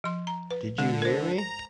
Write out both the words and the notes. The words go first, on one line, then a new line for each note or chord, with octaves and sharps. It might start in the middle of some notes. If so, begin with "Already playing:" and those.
Did you hear me?
F3 C6
A#5
B4
D3 G#3
A#4 C5
A#5